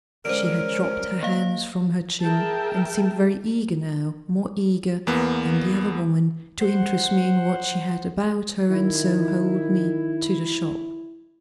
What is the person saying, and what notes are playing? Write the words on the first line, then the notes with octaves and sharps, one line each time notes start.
She had dropped her hands from her chin and seemed very eager now, more eager than the other woman, to interest me in what she had about her and so hold me to the shop.
D3 G#3 C#4 D4 A#4 C5 D7
A#3 F5
G#4 A#4 E5 G5 A5
E2 A#3 B3
C5 F#5
D#3 E4